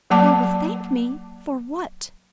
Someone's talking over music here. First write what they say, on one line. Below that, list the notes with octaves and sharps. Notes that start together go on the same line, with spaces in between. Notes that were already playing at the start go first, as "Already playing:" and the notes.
"You will thank me--for what?"
F#3 A#3 D5 F#5 A5 D6